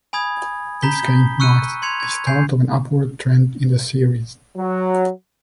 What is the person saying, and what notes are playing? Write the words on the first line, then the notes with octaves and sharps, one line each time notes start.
This game marks the start of an upward trend in the series.
G#5 B5 D#6 G#6
A#5 B5 G6 B6 G7
C#6 E6 F#6 C#7 D#7
C6 G#6 C#7 F7
G#6
G#5 G6 C7
F#3